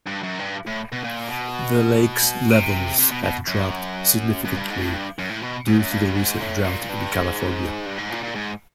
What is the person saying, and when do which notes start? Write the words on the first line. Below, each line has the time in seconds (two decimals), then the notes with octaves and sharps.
The Lakes levels have dropped significantly due to the recent drought in California.
0.06 G2
0.23 F#2
0.39 G2
0.67 A2
0.92 B2
1.04 A#2
1.28 B2
2.50 C3
2.99 C3
3.11 B2
3.23 B2
3.48 F#2
4.45 F#2
4.57 G2
4.70 G#2
4.81 A2
4.94 G2
5.19 F#2
5.30 A2
5.43 B2
5.67 G#2
5.79 F#2
5.91 G2
6.15 G#2
6.40 A2
6.64 A#2
6.89 G2
7.13 G#2
7.86 G2
7.98 G#2
8.11 A#2
8.23 A#2
8.35 G#2